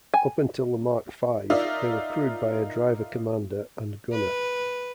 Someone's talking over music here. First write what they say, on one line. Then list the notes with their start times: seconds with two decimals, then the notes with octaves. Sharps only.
Up until the Mark V, they were crewed by a driver-commander and gunner.
0.14 G#5
1.50 D#4 F4 A#4 D5 E5
4.13 B4